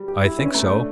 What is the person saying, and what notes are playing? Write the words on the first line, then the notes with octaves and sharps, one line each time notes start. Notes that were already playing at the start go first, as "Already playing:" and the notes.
I think so.
Already playing: G3
G4
E4
C#4
A3
D4